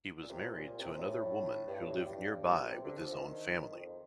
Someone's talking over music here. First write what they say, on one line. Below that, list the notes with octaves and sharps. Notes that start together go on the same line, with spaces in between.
He was married to another woman who lived nearby with his own family.
A#2
C3
A#2
C3
A#2
A2
G2
A2
G2
A#2
C3
D3
F3
D#3
F2